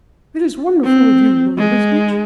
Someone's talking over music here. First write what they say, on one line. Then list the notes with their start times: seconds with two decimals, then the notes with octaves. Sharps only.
"It is wonderful of you, Lord Wisbeach."
0.84 C4
1.58 G#3